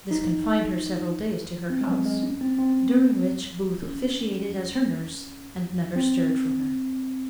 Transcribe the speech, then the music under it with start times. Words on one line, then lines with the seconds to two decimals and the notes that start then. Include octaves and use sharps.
This confined her several days to her house, during which Booth officiated as her nurse, and never stirred from her.
0.11 D#4
1.70 C4
1.81 G#3
1.87 F#3
2.05 G#3
2.23 C#4
2.41 C4
2.59 C4
3.83 C#4
5.96 C4